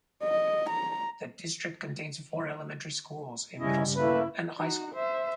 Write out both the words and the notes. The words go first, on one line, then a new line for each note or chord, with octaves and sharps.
The district contains four elementary schools, a middle school, and a high school.
D#5
A#5
G2 C#3 G3 C#4 E4 D#5
A3 A#3 E4 B4
D#4 F#4
C5 E5